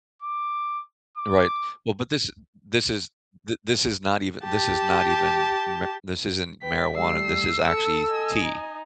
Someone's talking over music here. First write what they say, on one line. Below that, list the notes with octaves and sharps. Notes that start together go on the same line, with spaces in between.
Right. Well, but this this is th this is not even this is not even ma this isn't marijuana. This is actually tea.
D6
D6
G4 A5
B4 G5 B6
G3 A3 E6 C7
A4 C#7
D#5 G#5
D#4